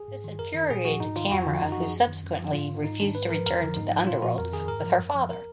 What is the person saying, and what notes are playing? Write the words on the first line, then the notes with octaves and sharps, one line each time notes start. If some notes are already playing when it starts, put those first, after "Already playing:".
This infuriated Tamara, who subsequently refused to return to the underworld with her father.
Already playing: G#4
G#2
D#3
F#2 A#4
D#3
A#2 G#4
F3 F#4
G#2 D#4
D#3 F4
F2 F#4
D3 F3 F4
F#2 D#4
F3 F#4
G#4
F#2
D#3
F#2
F3
G#2 F4
D#3
G#2 D#4
D#3 D4
G#2 B4
F3 A#4
F2 A#4
D3 F3
G#2 D#4
F3
A#2 F4
F3 F#4
F2 A#4
D#3 G#4
G#2 A#4
F3
F#2
F3
A#4